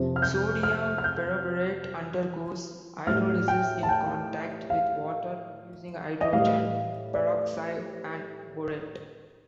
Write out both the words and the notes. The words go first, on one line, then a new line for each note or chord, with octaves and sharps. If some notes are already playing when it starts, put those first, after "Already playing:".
Sodium perborate undergoes hydrolysis in contact with water, producing hydrogen peroxide and borate.
Already playing: F2 C3 F3
F6
G6
F6
F6
G6
A2 G3 F6
G5
A5
G5
F5
D#5
A2 G3 F5
D5